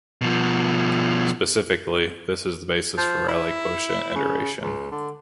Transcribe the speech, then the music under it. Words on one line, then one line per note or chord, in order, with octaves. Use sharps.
Specifically, this is the basis for Rayleigh quotient iteration.
B2 F3
F3
E4
C#3
C#2
D3